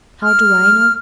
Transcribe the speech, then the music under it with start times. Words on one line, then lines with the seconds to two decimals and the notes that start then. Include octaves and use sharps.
How do I know?
0.23 F6